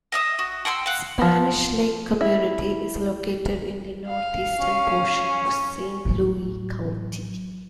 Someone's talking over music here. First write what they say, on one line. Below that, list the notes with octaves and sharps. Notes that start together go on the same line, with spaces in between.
The Spanish Lake Community is located in the northeastern portion of Saint Louis County.
D#5 E5 D#6
F#4
F#5 G5 C6 E6
F5 F#5
F3
E4
F5
C#4
A2 F#3